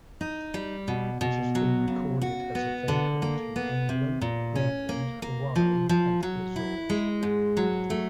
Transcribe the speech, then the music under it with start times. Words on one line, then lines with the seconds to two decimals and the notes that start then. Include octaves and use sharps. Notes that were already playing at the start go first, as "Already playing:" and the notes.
It has been recorded as a vagrant in England, Greenland, Hawaii, and the Azores.
0.21 D#4
0.54 G3
0.88 B2
1.21 B2
1.55 F#3
1.88 C#3
2.22 F#4
2.55 B3
2.88 D3
3.22 A#3
3.56 B3
3.89 C3
4.21 A#2
4.56 C#4
4.89 A#3
5.22 A#3
5.56 F3
5.89 F3
6.23 F#3
6.56 E4
6.90 G#3
7.23 G#2
7.57 F#3
7.90 A3